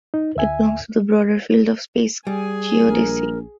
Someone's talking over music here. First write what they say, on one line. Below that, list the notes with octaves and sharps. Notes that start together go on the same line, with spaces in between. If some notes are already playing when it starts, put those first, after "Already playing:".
It belongs to the broader field of space geodesy.
D#4
D2 E5 G#5
G3 G#4 G#5
A#1 A#4